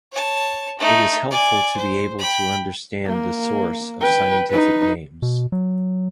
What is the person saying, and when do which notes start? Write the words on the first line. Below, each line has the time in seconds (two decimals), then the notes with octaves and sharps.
It is helpful to be able to understand the source of scientific names.
0.12 C#5 A5
0.78 A3 D#4
1.31 D5 G#5
1.76 C5
2.19 G5 B5
3.06 A#3
4.01 B4 G5
4.50 D#4 B4
5.22 B2
5.52 F#3